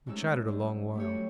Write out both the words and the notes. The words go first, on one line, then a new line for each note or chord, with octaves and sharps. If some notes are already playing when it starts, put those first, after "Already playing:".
We chattered a long while.
A2 C3 G#3 C#4 D#4 E6
G2
A3 G4 C#5
F#3